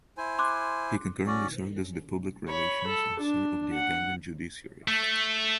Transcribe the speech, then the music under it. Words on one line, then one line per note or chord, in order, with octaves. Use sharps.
He concurrently served as the Public Relations Officer of the Uganda Judiciary.
E4 C5 G#5
C6 D6 F#6
C#4 F#4 D5
C#5 B5
A4
D4
F#5
A3